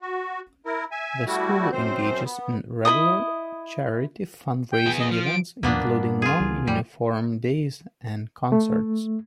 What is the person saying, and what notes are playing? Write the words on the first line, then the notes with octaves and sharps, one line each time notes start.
The school engages in regular charity fund-raising events, including non-uniform days and concerts.
F#4
E4 A#4
E5 G#5
G3 A3 E4 F#4
F#2 C4 C5
B3
E4 A#4 D#5 D#6
G5
B3 G#4
D#5
F3 F6
D7
D#2 G#2 F3 A#3 B3 D4
G2
F4 G#4
C#2 E3
F2 F#3 G3
A3